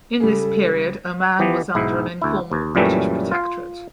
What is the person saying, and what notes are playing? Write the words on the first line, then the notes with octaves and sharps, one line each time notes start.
In this period Oman was under an informal British protectorate.
C#3 G3 A4
E3 F3 B3 G4
B1 G#2 E4
D2 E4
D#2
F#2 A#2 E3 G3 A3 C#4
F4 F5